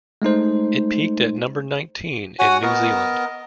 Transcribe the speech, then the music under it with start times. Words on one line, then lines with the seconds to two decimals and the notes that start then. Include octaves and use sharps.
It peaked at number nineteen in New Zealand.
0.22 G#3 A3 D#4 C5
2.39 F#4 C#5 F#5 G#5
2.62 B3 A#4 D#5